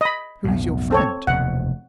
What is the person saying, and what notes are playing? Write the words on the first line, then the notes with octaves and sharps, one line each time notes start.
"Who is your friend?"
D#5 B5
B1 F2 A2
C4 A4 C#5
F1 D#2 B2 F#5